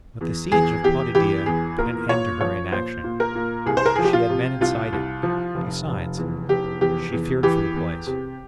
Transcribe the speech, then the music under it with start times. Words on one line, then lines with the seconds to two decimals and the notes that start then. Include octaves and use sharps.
But the siege of Potidaea put an end to her inaction; she had men inside it: besides, she feared for the place.
0.21 E2
0.52 E2 G#4
0.83 E2 G4
1.15 E3 G4
1.46 E2 G#4
1.78 A#2 A#4
2.09 A#2 C#5
2.41 F3 C#5
2.72 A#2 C5
3.04 A#2
3.20 A#4
3.35 A#2
3.66 C2 G#4
3.77 C5
3.86 A#4
3.96 F3 G#4
4.05 G4
4.13 F4
4.30 C3
4.61 C2 F4
4.93 C2
5.23 F3
5.55 F1
5.87 F1
6.18 E2
6.49 F1 G4
6.81 E2 G4
7.12 E2
7.43 E3 G4
7.75 E2
8.07 C3